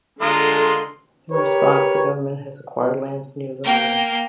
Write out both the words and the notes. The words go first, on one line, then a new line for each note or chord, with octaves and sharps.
In response the government has acquired lands near the mine.
D3 G#3 F4 A4 A#4 C6
G4 A#4 B4 C#5
A#3 G5